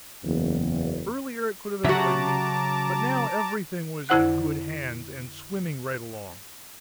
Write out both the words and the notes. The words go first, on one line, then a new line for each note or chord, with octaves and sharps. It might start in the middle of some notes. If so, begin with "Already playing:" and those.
Earlier it could have annoyed me, but now everything was in good hands and swimming right along.
F#1 E2
C#3 F#3 C#4 F#4 E5 A5 A#5 D6
F2 D3 E4 C5 F#5 F#6